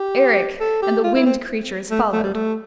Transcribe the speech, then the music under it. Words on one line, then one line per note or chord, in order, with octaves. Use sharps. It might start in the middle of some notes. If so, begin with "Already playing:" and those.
Eric and the Wind Creatures followed.
Already playing: G4
A4
G4
F4
E4
C4
A3
A3
G3
A3